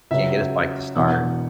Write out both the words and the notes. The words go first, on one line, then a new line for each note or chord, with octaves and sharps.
he can't get his bike to start.
C#2 C#3 F#3 E5
E1 E2 B2 F#5